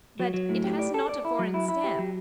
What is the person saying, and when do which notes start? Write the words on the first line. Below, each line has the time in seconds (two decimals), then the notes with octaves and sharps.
"But it has not a foreign stamp."
0.20 F#3
0.34 F#3
0.49 A2
0.64 G4
0.79 D5
0.94 A4
1.09 D5
1.25 E4
1.39 F#3
1.54 E4
1.68 E4
1.84 G4
1.99 F#3